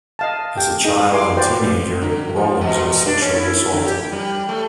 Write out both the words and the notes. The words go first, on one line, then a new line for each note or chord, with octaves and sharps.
As a child and teenager, Rollins was sexually assaulted.
D#5 F5 A5
G4 G5
D#4 G#4 D#5
E4 B4 G#5 C6 D6
F#4 B4 C5 D5 G5
D3
F3
B2
D4
C#4
E4
D3
G4
G3
A3